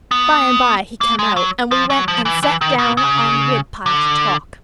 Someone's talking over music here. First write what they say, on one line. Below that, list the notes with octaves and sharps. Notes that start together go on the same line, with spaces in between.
By and by he come out, and we went and set down on the woodpile to talk.
B3
A#3
G#3
F#3
F3
F#3
F3
E3
E3
D#3
B2
C#3
D3